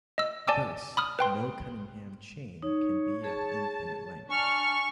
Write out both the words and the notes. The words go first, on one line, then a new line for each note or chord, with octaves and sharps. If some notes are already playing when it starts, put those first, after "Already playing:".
Thus, no Cunningham chain can be of infinite length.
D#5 E6
D5 G#5 A5 D6 E6
B5 D#6 F6
B4 G5 C6
D#4 C#5
G#4 A5
D4 G#5 C#6 F6